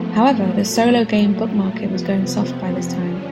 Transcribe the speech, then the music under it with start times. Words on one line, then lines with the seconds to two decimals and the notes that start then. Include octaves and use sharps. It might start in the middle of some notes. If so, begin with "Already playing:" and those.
However, the solo game book market was going soft by this time.
Already playing: G#2 F3 A3 B3
0.58 A#2 F#3 A3
1.17 A3
1.76 F2 C3 F3 B3
2.06 B3
2.35 C4
2.95 G2 D3 F3 C#4